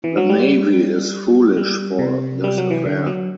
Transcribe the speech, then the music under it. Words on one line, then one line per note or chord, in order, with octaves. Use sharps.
The Navy is foolish for this affair.
E3
F#3
G3
G3
C3
G3
F#3
E3
D3
F#3